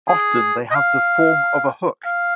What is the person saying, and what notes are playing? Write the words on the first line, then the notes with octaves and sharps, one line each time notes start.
Often, they have the form of a hook.
G#4
D#5
F5
F5